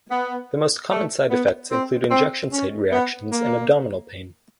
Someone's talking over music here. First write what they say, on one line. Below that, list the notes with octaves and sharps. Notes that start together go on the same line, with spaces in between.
The most common side effects include injection site reactions and abdominal pain.
B3
A3
B3
C4
C4
C#4
B3
A#3